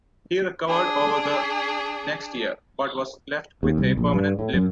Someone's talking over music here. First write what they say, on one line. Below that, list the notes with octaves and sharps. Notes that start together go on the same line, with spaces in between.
He recovered over the next year, but was left with a permanent limp.
D4 G#4
D#2
C2
A#1
G2
A2
F#2